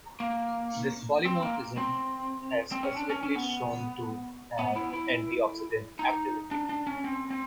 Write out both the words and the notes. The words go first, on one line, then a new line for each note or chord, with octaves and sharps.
This polymorphism has specifically been shown to have antioxidant activity.
A#3
C4
A#3
C4
C4
C#4
D4
C#4
C#4
B3
B3
E4
E4
D#4
D4
D4
C#4
C4
C4